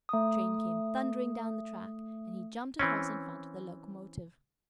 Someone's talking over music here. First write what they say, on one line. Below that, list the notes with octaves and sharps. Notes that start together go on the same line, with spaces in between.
The train came thundering down the track, and he jumped across in front of the locomotive.
A3 D#6
E3 C4 C#4